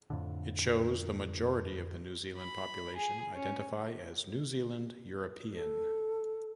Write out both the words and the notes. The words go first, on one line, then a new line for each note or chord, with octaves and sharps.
It shows the majority of the New Zealand population identify as New Zealand European.
F2 A2 D3
B5
G#4
C#4
A4